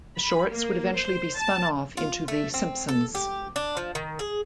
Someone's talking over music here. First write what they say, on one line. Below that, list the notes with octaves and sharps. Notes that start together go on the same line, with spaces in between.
The shorts would eventually be spun off into "The Simpsons".
B5
A#3
C5
A5
F4
A3
C4
A4
G4
D4
F3
D#3
G#4